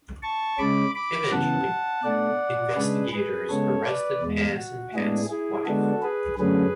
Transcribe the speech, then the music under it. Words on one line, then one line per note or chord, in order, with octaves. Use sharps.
Eventually, investigators arrested Pass and Pass' wife.
A5 C#6
C#3 G#3 C#4 B5 D6
B5 D6
C#3 E3 B3 F#5 A5
B2 A3 D4 D5 F#5
C#3 G#3 D4 G#4 B4
G#4 B4
C#3 G#3 B3 A4 C#5
B4 D5
E2 B2 G#3
F#4
A2 G#3 B3 D4 E4 G#4
E4 G#4
D3 G#3 B3 D4 F#4 A4
G#4 B4
F#2 D3 F#3 A3 C#4 G#4 B4